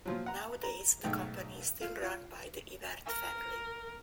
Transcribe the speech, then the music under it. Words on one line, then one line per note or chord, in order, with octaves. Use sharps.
Nowadays the company is still run by the Yvert family.
A#2 F3 F#3
F#5 A#5
A#5
B1 G#2 A3 G5
F4
F4
A#4